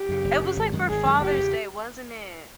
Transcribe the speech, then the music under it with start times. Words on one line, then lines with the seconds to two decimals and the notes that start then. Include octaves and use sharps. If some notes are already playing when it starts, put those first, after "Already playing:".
it was like for Father's Day, wasn't it?
Already playing: G4
0.09 F#2 C#3
0.24 F#1
0.41 F#2 C#3
0.56 G#1
0.73 F#2 D#3 G#3
0.89 G#1 G#4
1.05 F#2 D#3 G#3
1.21 F#1 G4
1.37 E2 C#3